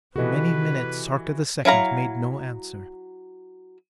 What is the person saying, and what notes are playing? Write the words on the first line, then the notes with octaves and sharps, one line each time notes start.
For many minutes Sarka the Second made no answer.
C3 E3 F#4 G4 A4 B4 D#5
F#3 E4 F5 A#5